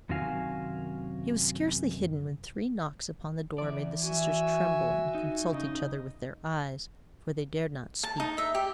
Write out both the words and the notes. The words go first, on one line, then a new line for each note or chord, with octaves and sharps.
He was scarcely hidden when three knocks upon the door made the sisters tremble and consult each other with their eyes, for they dared not speak.
F#2 C3 D#3 F#4 F5 G#5
E3 D5
F#4 E5 G#5
D#4
C#3 D#4
A5
D#4
E5
G4